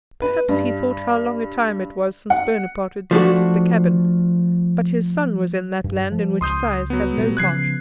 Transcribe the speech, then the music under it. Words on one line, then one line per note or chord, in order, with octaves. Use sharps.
Perhaps he thought how long a time it was since Bonaparte had visited the cabin; but his son was in that land in which sighs have no part.
B4
G2
F#5
F3 A3 D4 F#4
G2
F3
C#2 C6 D#6 G6
F#3 B3
A#2 G3 A3
C#3 F3 B3 F#6 G#6 C7